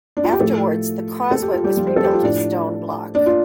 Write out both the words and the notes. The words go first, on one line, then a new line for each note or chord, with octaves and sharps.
Afterwards, the causeway was rebuilt of stone block.
D4
F4
G4
A2 F3 A3 A4
A4
G4
F4
G3 G4
F3 F4
C5
A4
G4
F4
A2 F3 D4
D4
F4